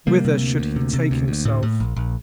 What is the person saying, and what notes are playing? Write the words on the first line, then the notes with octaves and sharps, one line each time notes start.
Whither should he take himself?
C3 G3 A#3
C3
D2
D2
C3
C3
D2
D2
A2
A2
A#1
A#1